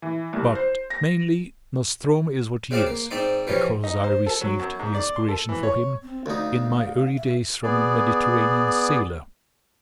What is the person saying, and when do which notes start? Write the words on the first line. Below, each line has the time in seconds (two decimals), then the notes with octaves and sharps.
But mainly Nostromo is what he is because I received the inspiration for him in my early days from a Mediterranean sailor.
0.02 E3
0.33 C2
0.55 C5
0.90 A#6
2.71 C#3 G#3 C4 F5 A5 D6
2.86 A#3
3.11 G#2 C4 D#4 D5 C6
3.47 E3 F3 G3 C#4
3.84 D#4
4.04 C5
4.26 A4
4.41 F#3
4.60 F#2
4.79 G#2
4.95 D5
5.16 C6
5.28 A4
5.49 E3
5.63 C#5
6.01 C4
6.26 D2 D#4 F5
7.16 E5
7.63 B3 G#4 D5